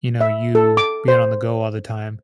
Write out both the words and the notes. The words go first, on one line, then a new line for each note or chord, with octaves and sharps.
you know, you being on the go all the time,
E5
A4
D6
C5